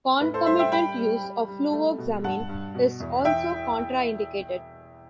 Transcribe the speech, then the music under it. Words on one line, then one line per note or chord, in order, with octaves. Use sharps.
Concomitant use of fluvoxamine is also contraindicated.
A2 B4
A4 C5
G3 C5 E5
E5 G5
G3 G5 B5
G3
G3
G3
A3
B2
G2 F#5 A5
G2
B2
E2
E3 E5 G5
E3